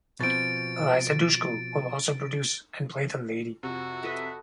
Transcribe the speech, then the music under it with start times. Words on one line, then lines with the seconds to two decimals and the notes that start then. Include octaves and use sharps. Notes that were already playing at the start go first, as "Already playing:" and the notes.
Eliza Dushku will also produce and play the Lady.
0.20 B2 F3 C4 A6 D7
3.63 F2 C3 F#4
4.03 A4 B4 D#5 E5